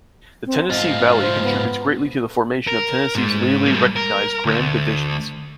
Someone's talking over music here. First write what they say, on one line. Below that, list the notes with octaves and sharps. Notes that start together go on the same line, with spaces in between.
The Tennessee Valley contributes greatly to the formation of Tennessee's legally recognized Grand Divisions.
C4
G#2 F4 D#5
C5
B3
A#4
G#2 G#3
G3 A#3
A#4
D2